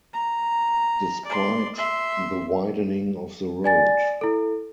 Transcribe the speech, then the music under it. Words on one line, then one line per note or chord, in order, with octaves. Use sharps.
Despite the widening of the road.
A#5
D5 C6
E5 C6
D5 G#5 A6
E4 A4